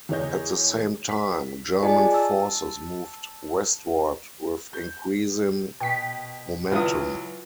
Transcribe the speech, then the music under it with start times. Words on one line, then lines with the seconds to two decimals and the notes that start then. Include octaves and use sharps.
At the same time, German forces moved westward with increasing momentum.
0.09 E2 E3 G#4 C#5 D#5 G6
1.09 B6
1.82 F4 G#4 D5 D#5 G#5 A5
2.12 A5 E6
4.73 G6
5.80 B2 G5 B6
6.72 C#2 F#3 E4 F4 B4 D#6